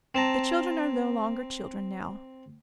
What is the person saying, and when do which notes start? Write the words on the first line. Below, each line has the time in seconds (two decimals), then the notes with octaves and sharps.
The children are no longer children now.
0.15 C4 A5 A#5